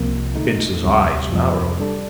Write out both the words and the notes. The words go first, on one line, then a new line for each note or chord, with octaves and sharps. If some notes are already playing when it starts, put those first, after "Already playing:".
Bince's eyes narrowed.
Already playing: C2 C3 F3 A#3
D3 A3 D#4
D2 C3 G3
F2 C3 F3
G3 D4 A4 D5